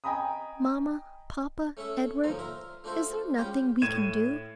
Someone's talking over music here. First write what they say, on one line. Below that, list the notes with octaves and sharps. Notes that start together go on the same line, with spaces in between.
"Mamma, papa, Edward, is there nothing we can do?"
D#5 G5 G#5 A#5 B5 D#6
A3 C#4 A4 C#5 E5
G2 A#2 D3 F3 F#3 D#4
F4 A#4 E5
A3 D4 F4 F#4 C5 E5
G3 G#3 C#4 F4 G4 G5
A2 G#6 D#7 E7